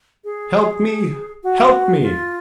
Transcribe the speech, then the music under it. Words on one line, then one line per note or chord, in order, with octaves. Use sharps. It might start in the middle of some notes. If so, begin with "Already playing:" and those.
Help me! help me!'
G#4
F#4
F4